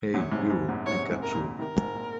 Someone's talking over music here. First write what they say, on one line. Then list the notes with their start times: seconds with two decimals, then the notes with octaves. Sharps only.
Hey You, Pikachu!
0.14 F#2 A#2 C#5
0.32 G#2 C3
0.50 G#2
0.68 F#2 A#2
0.86 G#2 C3 C#5
1.10 G#2 C3
1.23 A#4
1.35 A#2 C#3
1.59 C3 D#3 A#4
1.77 G#2
1.95 A#2